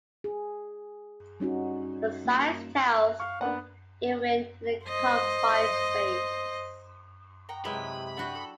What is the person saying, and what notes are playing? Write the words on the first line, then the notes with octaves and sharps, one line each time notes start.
But science tells, even in a confined space.
G#4
G3 C#4 D#4 F#4
A#3
F#6
F5 C#6
A#3 B3 D4 F#5
C5 D#5
F#5 G5 A#5
C3 F#3 G#3 E4 G4 B4 B5
D4 F#4 G4 B4 F#5
A4